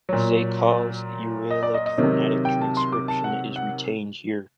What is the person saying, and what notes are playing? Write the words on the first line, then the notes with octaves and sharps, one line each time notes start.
Zaykov's Uralic phonetic transcription is retained here.
A#2 F#3
D#5
D5
D#5
D#5
C3 D#3 F#3
G5
A5
C6
D6
A5
F#5
F#5